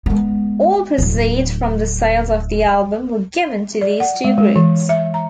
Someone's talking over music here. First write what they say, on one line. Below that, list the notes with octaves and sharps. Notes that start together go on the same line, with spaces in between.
All proceeds from the sales of the album were given to these two groups.
G#3 B3
D1 D3
D5
F#5
G#3
G#3
E3
E5
A#5